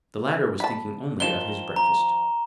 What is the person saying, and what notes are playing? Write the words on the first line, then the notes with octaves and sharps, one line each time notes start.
The latter was thinking only of his breakfast.
A5 B5
D#3 F3 E7 G7
A#5